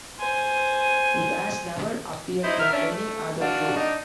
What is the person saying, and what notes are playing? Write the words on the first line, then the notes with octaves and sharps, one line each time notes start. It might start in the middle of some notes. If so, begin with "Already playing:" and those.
He has never appeared in any other role.
C5 G#5
D#4 E4 C5
A#4 E5 F6
C#4 D4 E5
A3
D4 F#4 F5
D4 D#4